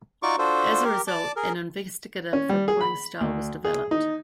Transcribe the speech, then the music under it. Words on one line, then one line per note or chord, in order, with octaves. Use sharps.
As a result, an investigative reporting style was developed.
D#4 F4 F#4 D5 C#6 D6
D4 F4 F#4 A4 C5
G4 A#4
D5 A5 D6
G#4 A#4
C#4
G3
G#4
B5
D2
G#4
D#4